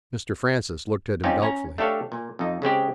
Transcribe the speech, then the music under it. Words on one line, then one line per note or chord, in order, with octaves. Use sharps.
Mr. Francis looked at him doubtfully.
G3 C4 C#4 D#4 F4 G4
C#4 A#5
A3 D4 G4 A4 C#5 F5
A#2
F2 D#4
C#3 G#3 C4 G4